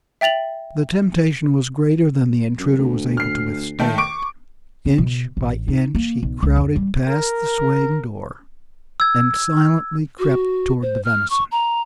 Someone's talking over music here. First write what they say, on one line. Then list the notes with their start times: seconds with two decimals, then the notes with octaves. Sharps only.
The temptation was greater than the intruder was able to withstand. Inch by inch he crowded past the swaying door, and silently crept toward the venison.
0.21 E5 G5 A6 F7 F#7
2.59 F#2
2.78 D2
3.17 F6 C7
3.79 D#3 A3 A5
3.98 C#6 D6 D7
4.86 C4
4.98 B2
5.37 A1
5.68 D#4
5.95 A#3
6.23 B1
6.43 C#2
6.57 F2
6.76 G3
7.06 A#4
9.00 E6 G#6
10.19 F#4
10.82 C5
11.05 F6
11.30 C#6
11.51 A#5